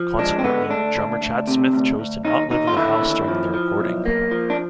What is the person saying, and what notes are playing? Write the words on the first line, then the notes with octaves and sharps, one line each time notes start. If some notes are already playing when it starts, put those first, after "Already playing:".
Consequently, drummer Chad Smith chose to not live in the house during the recording.
Already playing: F3
G#3 D4
C4
D3 B3
D2 D4
D2
D2
C3
D2
D2
D#2 D#4
D#2 D#4
F4
D3 E4
D#2
F3
F3
B1
A#3
F3
D4